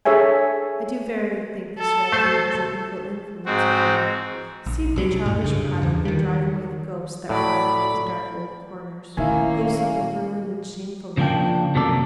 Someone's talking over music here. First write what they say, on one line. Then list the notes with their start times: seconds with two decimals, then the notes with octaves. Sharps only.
I do verily think this Red Room has an evil influence over me. See if your childish prattle can drive away the ghosts that riot in these dark old corners--ghosts of a ruined and shamed life!
0.05 D4 G#4 A4 C#5 E5 G#5
1.78 A4
2.12 A3 C5
3.46 G#2 C4 F#4
4.66 A#1
4.96 C2 F#3 G3
5.26 F#2 A2
5.41 G2 C#3
5.83 E2 E3
6.05 D#3 G3
7.29 A2 F#3 D5 B5
9.17 A#2 D#3 A3 A#3 C#4 E4 E5 G#5
11.17 C#3 F3 A#3 D4 G5
11.75 F#2 C3 D#3 A#3 A4 D5